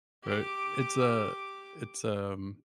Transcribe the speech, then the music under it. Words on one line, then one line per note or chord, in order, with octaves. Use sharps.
Right, it's a it's, um
G4 D6